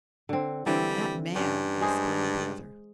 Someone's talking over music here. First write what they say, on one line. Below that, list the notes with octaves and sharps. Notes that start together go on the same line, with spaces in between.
"That man," exclaimed the other.
D3 C4
D3 E3 G3 C4
G2 C#4
G#3 G#4 C5